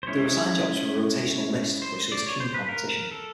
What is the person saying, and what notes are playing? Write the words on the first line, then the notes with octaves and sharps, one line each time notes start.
They were assigned jobs from a rotational list, for which there was keen competition.
C5
G#3 C#4 E4 C#5
C5
D5
C#5
C5
B4
A#4
A4